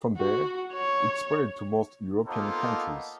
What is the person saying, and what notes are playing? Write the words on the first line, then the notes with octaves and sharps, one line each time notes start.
From there, it spread to most European countries.
F#4
C#5
A#3 B3 D#4 F4 A4 C5